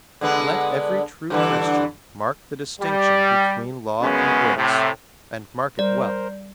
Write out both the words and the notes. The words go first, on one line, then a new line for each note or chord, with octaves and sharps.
Let every true Christian mark the distinction between law and grace, and mark it well.
D3 G#3 B3
G2 D3 E3
G3
F#2 C#3 G#3 B3 C#4
A2 C3
G3 A#4 C5 D5